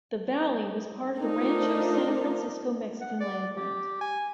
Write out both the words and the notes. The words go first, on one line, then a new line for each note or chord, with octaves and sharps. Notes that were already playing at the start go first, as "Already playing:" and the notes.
The valley was part of the Rancho San Francisco Mexican land grant.
A3 D4 D#4 F4 A#4 C5
F#5
D5
G4
G#5